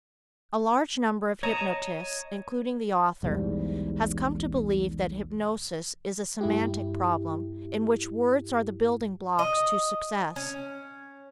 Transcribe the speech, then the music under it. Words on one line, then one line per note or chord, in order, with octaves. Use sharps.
A large number of hypnotists, including the author, has come to believe that hypnosis is a semantic problem in which words are the building blocks to success.
C#5 D#5 A5 A#5
B1 E2 G#2 G3
G2 E4 G4
D#5
C#4